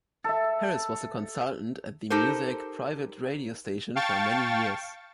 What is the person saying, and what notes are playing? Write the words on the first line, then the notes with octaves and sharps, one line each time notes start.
Harris was a consultant at the Muzak private radio station for many years.
A4 E5
D#4 G4 A4 A#4 C5
F5 G5 A5 C#6 A6